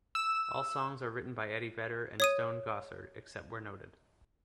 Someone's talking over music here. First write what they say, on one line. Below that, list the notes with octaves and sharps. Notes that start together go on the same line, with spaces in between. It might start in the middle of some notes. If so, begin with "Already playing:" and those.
All songs are written by Eddie Vedder and Stone Gossard except where noted.
E6
C#5 D#6 D#7